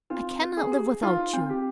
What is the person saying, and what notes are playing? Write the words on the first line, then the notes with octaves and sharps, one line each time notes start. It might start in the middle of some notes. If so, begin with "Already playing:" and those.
I cannot live without you!
C4 F4
B4
G#4
G4
D#4 F4
C4
G4